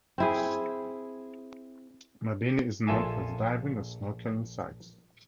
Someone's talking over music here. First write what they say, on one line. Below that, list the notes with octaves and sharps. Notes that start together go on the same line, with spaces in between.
Mabini is known for its diving and snorkeling sites.
C4 E4 G#4
A#1 F4 A4 E5 G#5 A5